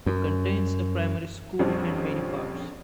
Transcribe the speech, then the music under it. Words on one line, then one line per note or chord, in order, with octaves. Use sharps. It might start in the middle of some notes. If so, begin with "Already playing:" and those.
It contains a primary school and many parks.
F#2
A#1 F2 G3 C4 C#4